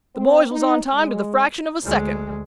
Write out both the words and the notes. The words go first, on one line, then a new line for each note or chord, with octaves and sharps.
The boys was on time to the fraction of a second.
C4
D#4
G#3
D2 G#3